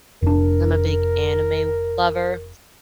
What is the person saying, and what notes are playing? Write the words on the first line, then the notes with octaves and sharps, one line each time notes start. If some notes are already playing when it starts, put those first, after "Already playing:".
'cause I'm a big anime lover,
F1 D4 A#4